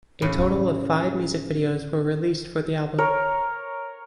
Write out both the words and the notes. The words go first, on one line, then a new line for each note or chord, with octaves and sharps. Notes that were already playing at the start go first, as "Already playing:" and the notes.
A total of five music videos were released for the album.
A2 C#3 E3
A#4 C#5